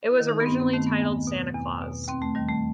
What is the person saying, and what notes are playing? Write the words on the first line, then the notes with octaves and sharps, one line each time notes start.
It was originally titled "Santa Claus".
E4
D#3
D#4
B3
G2 C4
C4
D#3 A3
B3
E2
B2
E2
B2
D#2 C4
A3
D#3 G3
A3